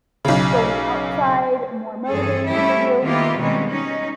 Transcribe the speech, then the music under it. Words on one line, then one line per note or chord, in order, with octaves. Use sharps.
going outside more motivating for you?
B1 C#3
G2 E3 C4 G#4 A4
G3 A3 C#4 E4 G4
D#3 A#3 B3 E4 F4 G4
B2 D#3 G3 G#3 C4 C#4
C#4 D#4